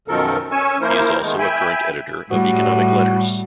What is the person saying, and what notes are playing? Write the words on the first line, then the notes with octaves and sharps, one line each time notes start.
He is also a current editor of Economic Letters.
F#2 B2 D#3 F3 A4 A#4
C#4 G#5 C#6 E6
F3 A#3 E4 A#4 C5
D#3 G#3 A3 B3
E5 G5 G#5 B5
A2 G3 F#4